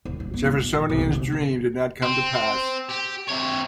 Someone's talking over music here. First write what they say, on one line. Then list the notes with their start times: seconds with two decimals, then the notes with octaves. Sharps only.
The Jeffersonians' dream did not come to pass.
0.05 E1
0.20 G2
0.34 B3
0.46 G3
0.58 D2
0.72 A#1
0.90 B1
1.01 D3
1.15 C3
1.32 C#3
2.03 C4
2.89 G4
3.28 C3 C#5